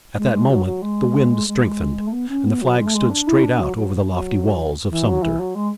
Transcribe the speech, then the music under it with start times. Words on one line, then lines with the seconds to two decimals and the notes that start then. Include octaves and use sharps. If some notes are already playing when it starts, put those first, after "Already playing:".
At that moment the wind strengthened, and the flag stood straight out over the lofty walls of Sumter.
0.17 G#3
0.32 G#3
0.48 F#3
0.65 F#3
0.81 G#3
1.47 G#3
2.06 A3
2.12 B3
2.28 C#4
2.44 B3
2.61 F#3
2.78 G#3
2.86 A3
2.94 G#3
3.09 D4
3.27 E4
3.43 D4
3.59 F#3
3.76 F#3
4.08 F#3
4.89 E3
5.06 F#3
5.22 E3
5.39 F#3
5.54 G#3